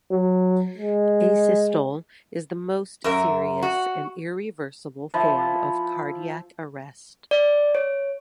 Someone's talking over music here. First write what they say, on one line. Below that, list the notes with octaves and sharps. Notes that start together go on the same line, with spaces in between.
Asystole is the most serious and irreversible form of cardiac arrest.
F#3
G#3
F#2 A#4 E5
F#4
F3 E4
D5
C#5